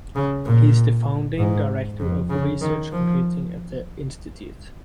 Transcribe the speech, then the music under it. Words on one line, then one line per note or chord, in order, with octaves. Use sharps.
He is the founding director of Research Computing at the institute.
C#3
A#2
G#2
F2
C#3
D#3
F3